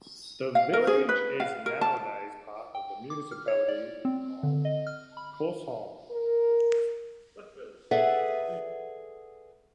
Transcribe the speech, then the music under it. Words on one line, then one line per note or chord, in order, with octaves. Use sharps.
The village is nowadays part of the municipality of Korsholm.
F5
A#4
G#4
B4
F5
A#4
A5
G5
D6
F6
C#5
D5
C4
D3
D#5
F6
B5
A#4
G#4 A4 B4 D5 E5 F#5